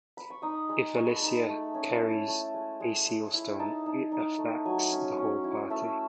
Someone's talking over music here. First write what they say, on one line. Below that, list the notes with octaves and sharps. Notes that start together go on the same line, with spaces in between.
If Alicia carries a sealstone, it affects the whole party.
B5
C#6
D#4 D#6
G#3
G#3 C#6
B5
A5
D#4 B5
A3
C#4
E4 A5
A3
G#3
G#3
G#3
E4
D#4 A5
D#4
D#4
A3
F#3 G#5
C#4
C#4
E4
A3 E5